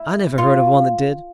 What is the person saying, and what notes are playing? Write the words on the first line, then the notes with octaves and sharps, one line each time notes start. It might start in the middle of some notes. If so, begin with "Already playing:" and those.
"I never heard of one that did."
Already playing: E4
F4